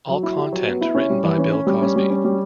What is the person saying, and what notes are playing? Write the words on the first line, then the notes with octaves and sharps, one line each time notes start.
All content written by Bill Cosby.
F#3
E4
G4
F#3
B3
E4
C#4
G3
E3
C#4
C#4
G3
C#4
G3
C#4
G3